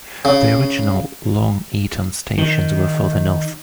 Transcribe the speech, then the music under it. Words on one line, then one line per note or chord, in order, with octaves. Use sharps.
The original Long Eaton stations were further north.
C#3
D#3